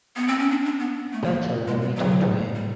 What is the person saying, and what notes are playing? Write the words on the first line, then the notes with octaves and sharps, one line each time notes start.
Better let me talk to him.
B3
C4
C#4
D4
D4
B3
A3
A#3
G#3
G3
F#3
G3